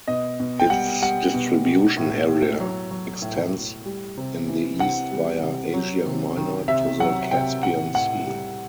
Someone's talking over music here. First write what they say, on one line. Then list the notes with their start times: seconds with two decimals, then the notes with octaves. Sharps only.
Its distribution area extends in the east via Asia Minor to the Caspian Sea.
0.08 B2 D#5
0.40 B2
0.60 G5
0.70 G3 F#5
1.02 G3 F#5
1.34 B2
1.65 B2
1.97 A2
2.28 A2
2.60 F#3
2.91 F#3
3.22 A2
3.54 A2
3.86 G3
4.17 C3
4.48 E3
4.80 C3 F#5
5.11 G3
5.43 C3
5.74 F#3
6.06 C3
6.37 D#3
6.68 C3 E5
6.99 F#3 F#5
7.31 C3 G5
7.63 A2 F#5
7.94 A2 F#5
8.26 G3